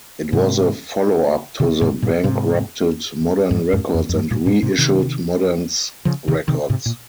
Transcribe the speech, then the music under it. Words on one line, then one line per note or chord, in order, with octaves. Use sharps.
It was a follow-up to the bankrupted Modern Records and reissued Modern's records.
G#2 C3
C3 D#3
G#2 C3
G2 A#2
G#2 C3
F2 G#2
F2 G#2
F2
F2
G2
G2 A#2
G2 A#2
G#2 C3
C3 D#3
C#3 F3
C3 D#3
C3 D#3
G#2 C3
A#2